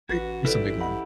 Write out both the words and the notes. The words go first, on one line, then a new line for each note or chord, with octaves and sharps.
the is a big one.
A1 F#4 B4
E4 G4 A4 B4 D5
D#5 F#5 B5